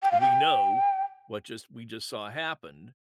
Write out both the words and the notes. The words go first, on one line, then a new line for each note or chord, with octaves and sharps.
we know what just we just saw happened
G5
F5
G5